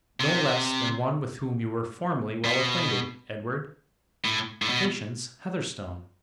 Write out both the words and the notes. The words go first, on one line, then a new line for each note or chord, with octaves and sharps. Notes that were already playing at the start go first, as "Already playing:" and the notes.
"No less than one with whom you were formerly well acquainted, Edward--Patience Heatherstone."
C3
B2
A2
A2
B2